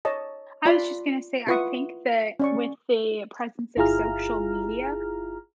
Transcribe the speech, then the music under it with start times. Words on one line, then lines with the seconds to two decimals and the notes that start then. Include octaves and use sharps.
I was just gonna say, I think that with the presence of social media
0.05 C#5 D#5 A5
0.66 F4 D5 A5 B5 C6
1.47 E4 F4 B4 F#5 C#6 D#6
2.40 C#4 D5 C#6
3.77 G1 E4 F4 G#4 A#5 F6